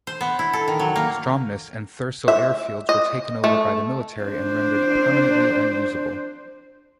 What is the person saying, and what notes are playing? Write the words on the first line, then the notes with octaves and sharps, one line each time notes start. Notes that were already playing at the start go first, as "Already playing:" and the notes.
Stromness and Thurso airfields were taken over by the military and rendered permanently unusable.
C5
B3
E4
A4
D#3
F#3
A#3
E5
D#5
A3
D4 C5